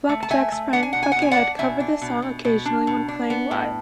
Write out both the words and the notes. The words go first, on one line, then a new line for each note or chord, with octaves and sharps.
Jack Black's friend Buckethead covered the song occasionally when playing live.
A3
A5
A3 E5 G#5
A3
D4 F#5
G#5
B2 F#5
G#5
B2 F#5
G#5
D5 F#5
D4
B2 E5 G#5
D4
B2
B2
B2
D4
B2
D4
B3
A2